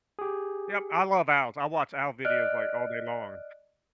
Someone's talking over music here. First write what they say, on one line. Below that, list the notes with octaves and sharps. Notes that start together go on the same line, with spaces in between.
Yep, I love owls, I watch owl videos, like, all day long.
G4 G#4
D5 D#5 F6 F#6 D7